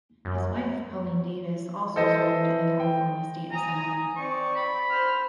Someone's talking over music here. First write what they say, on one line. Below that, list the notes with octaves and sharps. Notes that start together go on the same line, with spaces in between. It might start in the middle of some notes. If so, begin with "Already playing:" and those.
He wife Pauline Davis also served in the California State Assembly.
F#2
E3 A4 C5 D#5
G5
G#5 A#5 D#6
C4 D5 C#6
B5
C5 F6